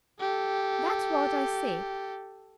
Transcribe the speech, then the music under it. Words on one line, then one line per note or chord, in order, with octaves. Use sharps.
That's what I say.
G4 A4